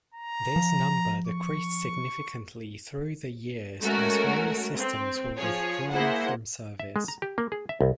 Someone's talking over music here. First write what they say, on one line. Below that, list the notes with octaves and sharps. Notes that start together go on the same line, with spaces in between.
This number decreased significantly through the years as various systems were withdrawn from service.
A#5
F3
C#6
G#3 A3 C#4 F#4 A#4
C4
F3 G#4 C#5
A#3 E4 G#4 C5 F#5
E5
G#3
A#5
G4
A#3
G#4
E5
C2